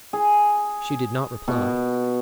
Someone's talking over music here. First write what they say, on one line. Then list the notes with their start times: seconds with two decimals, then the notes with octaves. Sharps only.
She did not reply.
0.13 G#4
1.48 B2